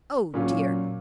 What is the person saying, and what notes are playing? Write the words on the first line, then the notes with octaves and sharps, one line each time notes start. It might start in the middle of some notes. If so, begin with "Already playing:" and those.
Oh dear!
A#2 F#3 C#4 F4